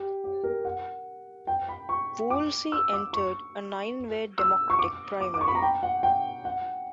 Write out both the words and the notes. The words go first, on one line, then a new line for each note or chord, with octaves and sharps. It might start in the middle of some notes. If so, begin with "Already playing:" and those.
Woolsey entered a nine-way Democratic primary.
Already playing: G4
G4
A#4
F#5
G5
B5
C#6
D6
E6
D6
C#6
E6
C#6
D6
D6
D6
C#6
B5
A#5
G5
F#5
G5
F#5